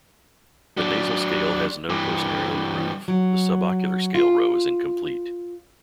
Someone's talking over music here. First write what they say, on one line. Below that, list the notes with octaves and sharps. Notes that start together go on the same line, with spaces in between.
The nasal scale has no postnarial groove; the subocular scale row is incomplete.
F#3 D4
G2 E3
F#3
F4